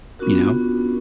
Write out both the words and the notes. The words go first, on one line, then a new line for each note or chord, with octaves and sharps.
you know,
B3 C#4 D4 F4 F#4 A#4